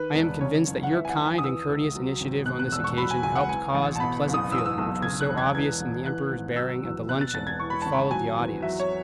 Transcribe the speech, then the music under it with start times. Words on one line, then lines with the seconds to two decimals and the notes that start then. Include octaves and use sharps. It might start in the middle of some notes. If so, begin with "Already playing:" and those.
I am convinced that your kind and courteous initiative on this occasion helped cause the pleasant feeling which was so obvious in the Emperor's bearing at the luncheon which followed the audience.
Already playing: D#3 B4
0.15 E1
0.41 C#3 C#5
0.67 F#1
0.83 F#5
0.92 E3 E5
1.05 G#5
1.09 F#5
1.18 D#2
1.27 G#5
1.38 D#6
1.44 E3 E6
1.69 C#2
1.95 F#3
2.21 G#1
2.46 B2 F#6
2.59 F#6
2.72 E1 E6
2.84 C#6
2.98 F#3 B5
3.11 G#5
3.23 C#2 G#5
3.36 F#5
3.49 E3 G#5
3.75 A1
3.96 A5
4.00 B2 B5
4.27 F#1
4.34 D#6
4.52 E3 E6
4.58 D#6
4.66 E6
4.78 B1
5.02 C#3 G#6
5.21 F#6
5.29 E1
5.38 G#6
5.54 E3 G#6
5.81 A1
6.06 E3 F#6
6.32 G#1
6.56 F#3 E6
6.83 E2
7.08 B2 F#6
7.21 A6
7.33 E1 A6
7.47 G#6
7.60 E3 C#6
7.70 B5
7.82 G#1 A5
7.92 B5
8.11 F#3 G#5
8.37 E2
8.62 F#3 E5
8.80 C#5